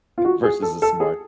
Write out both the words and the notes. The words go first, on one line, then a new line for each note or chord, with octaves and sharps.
Versus the smart
F4
F#4
G#4
A4
A4
G#4